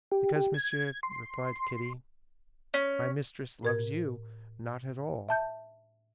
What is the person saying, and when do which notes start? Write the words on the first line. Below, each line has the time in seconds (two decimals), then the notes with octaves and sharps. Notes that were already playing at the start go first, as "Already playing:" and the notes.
"Because, monsieur," replied Kitty, "my mistress loves you not at all."
0.12 G4
0.36 G4
0.54 G#6
1.03 C6
2.74 C#4
3.63 A2 A#4 G#6
5.29 E5 A5 G6